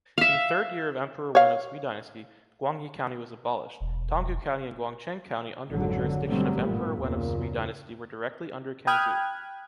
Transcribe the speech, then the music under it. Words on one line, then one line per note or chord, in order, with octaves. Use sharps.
In the third year of Emperor Wen of Sui Dynasty, Guangye county was abolished. Tonggu County and Guangchang county under the jurisdiction of Emperor Wen of Sui Dynasty were directly under Kangzhou.
E5 F5
C#5 F5
E1
G#1 F2 D3 F#3
B2 D3 F#3 G3 A3 C4
A1 G2 A#2 B3
F#1 D#2 A#2 C#3
G5 B5 D#6 F6 F#6 G#6